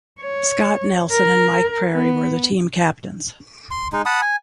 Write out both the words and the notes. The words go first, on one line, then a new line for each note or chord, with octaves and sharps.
Scott Nelson and Mike Prairie were the team captains.
C#5
A#4
B3
C6
G#3 D#4
F#5 A5 B5 D#6
G#5